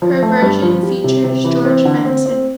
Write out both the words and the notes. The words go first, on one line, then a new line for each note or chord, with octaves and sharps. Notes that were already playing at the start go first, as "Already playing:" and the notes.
Her version features George Benson.
F3
A3
G2
F3
G3
C3
C3
E3
C4
D3
C4
C4